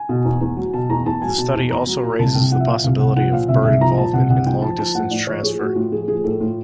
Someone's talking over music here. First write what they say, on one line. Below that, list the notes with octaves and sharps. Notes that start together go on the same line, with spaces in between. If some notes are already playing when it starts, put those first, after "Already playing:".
The study also raises the possibility of bird involvement in long-distance transfer.
Already playing: G#5
B2
E2
E2
F#3
B2 A5
E2 A#5
E2 A5
F#3 G#5
B2 A5
E2
E2 A#5
F#3
A#2 A#5
C2 A5
C2 G5
F3 F#5
E5
A#2 F5
C2 F5
C2 F#5
F3 F#5
A#2 F5
C2 E5
C2 E5
F3 A#5
A#2 A5
C2 F#5
C2 F#5
F3 G5
F3 A5
F3 A5
A2 F#5
A2 D5
F3 C#5
F3 G#4
A2 F#4
A2 F4
F3 G#4
F3 G#4
A2 A4
A2 F4